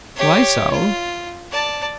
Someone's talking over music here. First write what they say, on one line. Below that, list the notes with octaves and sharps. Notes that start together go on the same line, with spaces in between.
"Why so?"
G4 C#5
F4
D5 A5